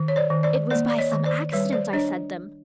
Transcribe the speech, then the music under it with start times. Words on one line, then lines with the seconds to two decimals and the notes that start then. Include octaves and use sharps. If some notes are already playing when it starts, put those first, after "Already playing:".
It was by some accident I said them....
Already playing: D#3
0.08 C#5
0.16 C5 D5
0.30 D#3
0.43 C5 D5
0.71 A#3 C5 D5
0.89 D5
0.98 C#5 D#5
1.12 D#3
1.25 C5 D5
1.52 G3 B4 C#5
1.73 C5 D5
1.93 D4 C#5 D#5